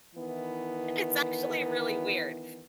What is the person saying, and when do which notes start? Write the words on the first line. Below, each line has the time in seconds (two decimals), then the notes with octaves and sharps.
It's actually really weird.
0.15 D#3 E3 B3 E4